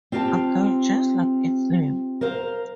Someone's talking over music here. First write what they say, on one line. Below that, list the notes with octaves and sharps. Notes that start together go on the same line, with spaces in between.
Again, just like its name.
C4 F4 G4 F#5 A5
A#4 C5 F5